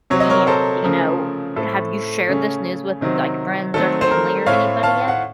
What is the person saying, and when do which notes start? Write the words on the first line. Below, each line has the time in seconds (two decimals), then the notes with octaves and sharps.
And, you know, have you shared this news with, like, friends or family or anybody yet?
0.10 C3 F#3 C4 C#5
0.20 D#5
0.30 A#4 C#5
0.47 A4 C5
0.83 C#3 F3 A3 C4 A#4
1.56 A2 A3 C4 A4
2.29 C#3 A3 C#4
3.01 C3 D#3 F#3 C4
3.74 D#3 F#3 A3 C4 A4
4.01 C5
4.11 A#4
4.46 A2 A3 C4 C#5 F5
4.83 F5 A5
5.08 F#5